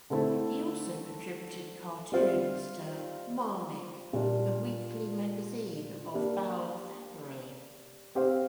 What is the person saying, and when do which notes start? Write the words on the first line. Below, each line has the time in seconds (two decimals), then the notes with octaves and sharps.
He also contributed cartoons to "Marmik", the weekly magazine of Bal Thackeray.
0.10 D3 A3 C4 E4 A4
2.12 G3 C4 F4 C5 E5
4.13 A#2 G3 D4
6.14 A#3 D4 G4
8.15 C4 G4 C5 F5